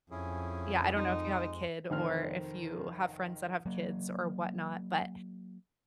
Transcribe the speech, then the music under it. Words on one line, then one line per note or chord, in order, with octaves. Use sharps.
yeah, I don't know if you have a kid or if you have friends that have kids or whatnot, but
F2 C#4 E4 G#4
G#3 D#4
F1 D#3 C5 F6
F#3 A#3